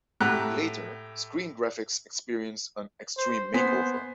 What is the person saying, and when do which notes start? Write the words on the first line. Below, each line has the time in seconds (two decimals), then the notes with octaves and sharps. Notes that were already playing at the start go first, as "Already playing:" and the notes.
Later, screen graphics experienced an extreme makeover.
0.20 A2 G4 F#5 A#5 F#6
3.17 C5
3.54 B3 C5 G#5 B6